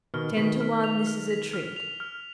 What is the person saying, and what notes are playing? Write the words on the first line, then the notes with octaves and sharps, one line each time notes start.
"Ten to one this is a trick."
B2 D#3 F6
B2 D#3 B6
F6
F7
F6
B6
F6
F7
F6